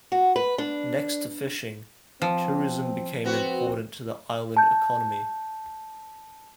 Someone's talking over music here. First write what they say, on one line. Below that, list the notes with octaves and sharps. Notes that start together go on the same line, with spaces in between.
Next to fishing, tourism became important to the island economy.
F#4
B4
D4
F3 C4
B3 C4 F#4
A5 G6